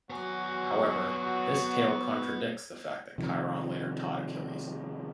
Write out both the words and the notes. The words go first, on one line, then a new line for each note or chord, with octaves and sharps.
However, this tale contradicts the fact that Chiron later taught Achilles.
F#3 B3 F#4 G#5
C3 D#3 F3